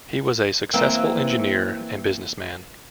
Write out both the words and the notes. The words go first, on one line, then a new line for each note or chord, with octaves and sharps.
He was a successful engineer and businessman.
E3 A#3 C4